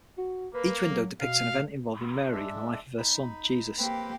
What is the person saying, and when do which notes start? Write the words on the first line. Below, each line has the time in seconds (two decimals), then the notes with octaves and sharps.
Each window depicts an event involving Mary in the life of her son, Jesus.
0.18 F#4
0.55 A#3 B4
0.87 F#3
1.21 B2 F5
2.32 G#3 D4 E5
2.98 D#4 B5
3.78 A#3 C4 G4 B4 B5